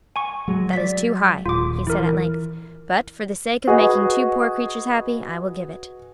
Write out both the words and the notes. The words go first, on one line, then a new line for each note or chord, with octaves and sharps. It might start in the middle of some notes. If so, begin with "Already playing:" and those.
"That is too high," he said at length, "but for the sake of making two poor creatures happy, I will give it."
G#5 C#6
F#3 G#3
D5 B6
D#1 F4 D6
E3 E4 A#4
F#4 G#4 B4 D#5